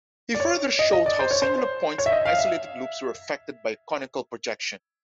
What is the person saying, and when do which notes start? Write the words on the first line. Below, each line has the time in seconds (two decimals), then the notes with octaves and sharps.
He further showed how singular points and isolated loops were affected by conical projection.
0.35 D5
0.40 C#5
0.79 D#5
0.93 D#5
1.06 D5
1.19 C5
1.31 C#5
1.42 C5
1.98 C#5
2.06 E5
2.12 D#5
2.25 F5
2.39 E5